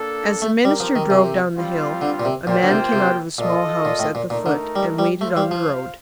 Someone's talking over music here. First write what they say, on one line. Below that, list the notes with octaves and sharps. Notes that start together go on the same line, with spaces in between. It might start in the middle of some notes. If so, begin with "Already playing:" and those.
As the minister drove down the hill, a man came out of a small house at the foot and waited on the road.
Already playing: A#3 D4 A4
A3
G3 C4 G4 A#4
F3
D#3
C3
G3 C4 F4
D3
A#2
C3
A#2 A#3 F4 C5 G5
D3
C3
C3
A#2 F4 A4 D#5
A#2
A2
A#2
A#2 A3 D#4 A#4
D3
G3
G3
A3 F4 C5 F5
G3
F3